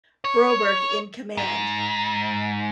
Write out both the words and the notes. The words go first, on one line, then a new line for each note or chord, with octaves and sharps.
Broberg in command.
C#5
G#2